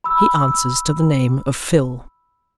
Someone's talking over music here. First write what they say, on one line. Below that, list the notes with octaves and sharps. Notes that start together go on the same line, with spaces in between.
He answers to the name of Phil.
B5 E6